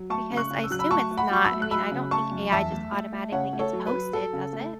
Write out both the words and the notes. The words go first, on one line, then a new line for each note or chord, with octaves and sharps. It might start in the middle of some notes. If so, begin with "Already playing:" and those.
because I assume it's not I mean, I don't think AI just automatically gets posted, does it?
Already playing: F#3
A3 A5 C#6
C#3
C#6 F#6
C#3
E6
F#3 F#6
B5 E6
A3 A5 C#6
A3
F#5 B5
F#3 C#6
B5 E6
A3
F#6
F#3 B5 E6
C#3
A3 A5 C#6
F#2
E2 E5 A5
A3
A3
A3
C#3 C#5 F#5
A3
A4 C#5
F#3
B4
F#3
F#3 A4
C#3
A3